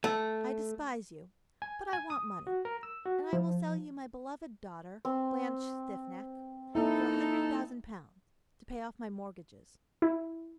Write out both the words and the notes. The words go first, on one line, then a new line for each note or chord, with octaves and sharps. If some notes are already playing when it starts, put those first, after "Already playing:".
I despise you, but I want money; and I will sell you my beloved daughter, Blanche Stiffneck, for a hundred thousand pounds, to pay off my mortgages.
A3
G#5
G#5
D#6
F#4
A#4
E6
F#4
F3
C4
A#3 D#4 E4 A4
E4